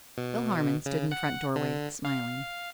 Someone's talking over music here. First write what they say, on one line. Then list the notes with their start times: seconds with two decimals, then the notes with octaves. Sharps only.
Bill Harmon stood in the front doorway, smiling.
0.18 B2
0.86 C#3
1.12 F#5
1.56 D3
2.05 F5